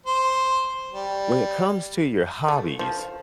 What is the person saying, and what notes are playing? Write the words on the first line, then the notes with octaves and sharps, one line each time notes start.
when it comes to your hobbies,
C5
G3
A3
F3